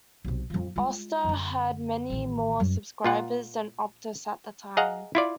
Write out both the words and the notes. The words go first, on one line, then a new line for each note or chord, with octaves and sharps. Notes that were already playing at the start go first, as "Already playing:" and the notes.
Austar had many more subscribers than Optus at the time.
B1 C3
F2 F3
G#3 F4
F#2 D3
A1 D#3
F#2
A#2 F4 F#5
G#4 D#5 F5 F#5 A#5
E4 F4 D5